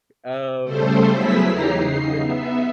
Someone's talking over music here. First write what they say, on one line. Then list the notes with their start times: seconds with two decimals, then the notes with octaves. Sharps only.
Um, and then
0.64 C#3 G3 A3 A4 C5
1.10 F#3 B3 E4 G#4 E6 B6
1.48 E2 D#4 G4 A#5 C7
1.81 C#3 D#4 C7
2.20 B3 E5